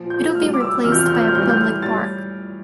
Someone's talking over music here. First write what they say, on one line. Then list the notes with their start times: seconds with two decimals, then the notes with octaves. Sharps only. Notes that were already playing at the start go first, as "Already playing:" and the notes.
It will be replaced by a public park.
Already playing: A#2 F3
0.10 G6
0.35 A2 G3 F6
0.54 D6
0.61 E6
0.84 E2 C3 F3 F6
0.92 G6
0.99 F6
1.06 G6
1.14 F6
1.21 G6
1.28 F6
1.33 A2 E3 G3 G6
1.43 F6
1.50 G6
1.57 F6
1.82 A2 G3 A6